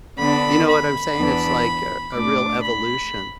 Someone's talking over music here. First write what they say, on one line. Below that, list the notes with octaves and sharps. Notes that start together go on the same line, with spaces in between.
you know what I'm saying? It's like a a real evolution,
D3 B3 D4 B5
B5
E2 E3 B3 D4
A2 A3 D4 D6
B5